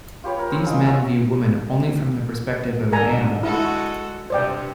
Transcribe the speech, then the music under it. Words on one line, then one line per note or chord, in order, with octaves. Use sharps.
These men view women only from the perspective of an animal.
F4 G4 B4 C#5
A#4
C4
D#5 F5 G#5 A#5
C#4 E5 F#5 C#6
D3 A#4 G#5 A#5
G#3 E4 F#4 A4
G2 C3 C5 D5 G5